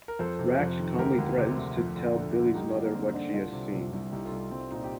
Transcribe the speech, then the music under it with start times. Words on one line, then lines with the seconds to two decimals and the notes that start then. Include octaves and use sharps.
Ratched calmly threatens to tell Billy's mother what she has seen.
0.08 A#4
0.19 F2 A4 C5
0.39 C3
0.59 F2
0.79 D#3
0.98 D2 G4 A#4
1.18 D2
1.38 C3
1.57 D2
1.77 F2
1.96 D3
2.16 D3
2.36 D3
2.55 G2 D#4 G4
2.74 D3 A#3 D4
2.84 A#3
2.94 D3 C4
3.14 D3 A#3 D4
3.33 C2 D4 F4
3.53 C3
3.73 C2
3.93 C2
4.12 C2 D#4 G4
4.25 F4 A4
4.31 C2
4.51 C2 C4
4.71 A#2 C4 D#4
4.83 G4